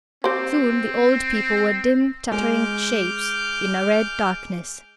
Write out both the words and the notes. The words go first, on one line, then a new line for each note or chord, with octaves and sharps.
Soon the old people were dim chattering shapes in a red darkness.
C4 G4 C5
G#3 D6 F6 G6